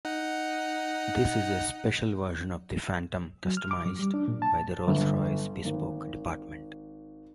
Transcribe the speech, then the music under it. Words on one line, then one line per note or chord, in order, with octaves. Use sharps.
This is a special version of the Phantom customized by the Rolls-Royce Bespoke department.
D#4 F#5
F#3
F6
D6
F#2
G3
D4
A#2
A5
G1
G#1